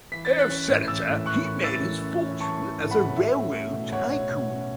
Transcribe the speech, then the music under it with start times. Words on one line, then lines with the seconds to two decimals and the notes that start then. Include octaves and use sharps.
Senator; he made his fortune as a railroad tycoon.
0.11 E3 B6
0.25 A6
0.31 C#4
0.39 F#6 B6
0.50 C#4
0.69 A2
0.88 E3 E6 A6
1.07 A2
1.26 E3 C#6 F#6
1.45 C#4
1.63 E3 E6 A6
1.83 E3
2.02 C#4
2.21 C#4
2.40 E3 A5 C#6
2.59 E3
2.79 A2
2.91 F#5 B5
2.97 A2
3.16 A3 E5
3.36 C#4
3.54 A3
3.73 B2
3.92 B2 C#5 F#5
4.12 B2
4.31 B2
4.50 C#4